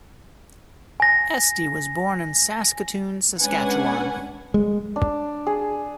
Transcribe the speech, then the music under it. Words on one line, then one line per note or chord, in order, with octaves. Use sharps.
Estey was born in Saskatoon, Saskatchewan.
G#5 A#6
G#3 C#4 D4 B4 F#5 G#5
G#3
D4
G#4